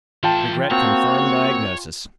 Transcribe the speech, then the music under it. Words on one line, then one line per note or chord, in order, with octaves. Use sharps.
Regret confirm diagnosis.
E3 F4 A4 G5 A5
A#3 C4 F#4 C#5